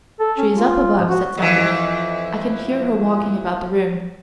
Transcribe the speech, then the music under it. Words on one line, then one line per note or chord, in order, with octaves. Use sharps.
"She is up above," said Saunders; "I can hear her walking about the room."
A4
C#4
F4
F3
F#4
F2 E3